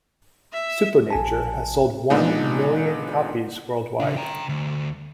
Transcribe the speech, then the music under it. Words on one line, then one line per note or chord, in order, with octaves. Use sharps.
"Supernature" has sold one million copies worldwide.
E5
A#1 G#5 A5
A#2 G#3 B3 D4 D#4
C#3 D4
G5 A#5
D2